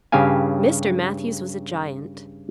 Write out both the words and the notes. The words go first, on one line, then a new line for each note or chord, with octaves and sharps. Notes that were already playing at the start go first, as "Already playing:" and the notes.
Mr. Matthews was a giant.
G2 C#3 G4 F5 G#5